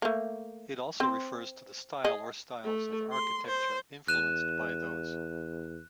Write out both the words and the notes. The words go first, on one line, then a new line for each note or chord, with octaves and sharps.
It also refers to the style or styles of architecture influenced by those.
A3 A#3
C4 C5
G#4 D#5
A3
C6
C5
E2 F#6 D#7 E7